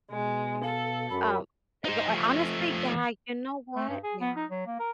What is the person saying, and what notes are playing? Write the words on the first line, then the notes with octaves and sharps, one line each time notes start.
um, you ho honestly yeah, you know what, yeah.
B2 G#3
A4 F5
F#2 B5
D#4 C5
F3 A3
A3
G2
G#4
B3
D#4
F#3
A#3
A#4